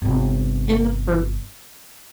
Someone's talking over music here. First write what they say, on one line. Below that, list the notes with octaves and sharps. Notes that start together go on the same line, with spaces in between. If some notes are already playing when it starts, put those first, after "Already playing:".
in the fruits,
G1 C3